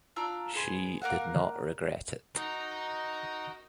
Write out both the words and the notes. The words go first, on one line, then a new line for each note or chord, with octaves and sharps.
She did not regret it.
D4 F4 A#5 E6
B3 G#4 C6
A#3 A#4 F5 F#5
D#4 F#4 A#4 D#5